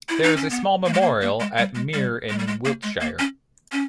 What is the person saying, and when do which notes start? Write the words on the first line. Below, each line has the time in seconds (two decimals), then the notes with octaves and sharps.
There is a small memorial at Mere in Wiltshire.
0.09 E4
0.23 D#4
0.36 C#4
0.50 B3
0.86 A#3
0.93 G#3
1.01 A#3
1.21 A#3
1.40 G#3
1.58 G3
1.75 G#3
1.94 G3
2.29 G#3
2.39 G3
2.47 G#3
2.65 A#3
2.83 G#3
3.01 A#3
3.19 C#4
3.72 C#4